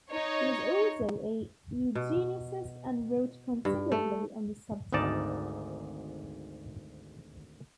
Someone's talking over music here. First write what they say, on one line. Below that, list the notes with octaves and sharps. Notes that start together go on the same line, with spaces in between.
He was also a eugenicist and wrote considerably on the subject.
D#4 C#5
B2
G2
A3
G#1 D2 G#2 D#4 D5 A5